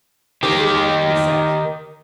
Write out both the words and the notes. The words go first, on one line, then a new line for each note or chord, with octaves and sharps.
Everyone in the set!
D#3 G4